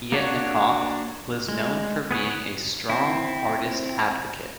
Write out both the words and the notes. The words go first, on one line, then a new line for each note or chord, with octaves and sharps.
Yetnikoff was known for being a strong artist advocate.
A#3 D4 F#4 C#5
G#3
B3 G#4 B4 C#5
C4 E4